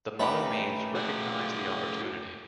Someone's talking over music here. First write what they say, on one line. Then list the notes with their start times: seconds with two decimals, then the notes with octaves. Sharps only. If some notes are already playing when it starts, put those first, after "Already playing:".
The motto means Recognize the opportunity.
0.20 A3 C#4 D#4 G4 B4
0.95 F#4 G#4